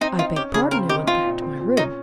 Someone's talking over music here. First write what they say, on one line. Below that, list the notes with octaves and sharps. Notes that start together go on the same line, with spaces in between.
I begged pardon and went back to my room.
C4 D#4
D#4 F4
C#4 G4
C#3 G#4
C4 A#4
D#4 G4
C4 F4
A#2
C4
A#2
C#4 D#4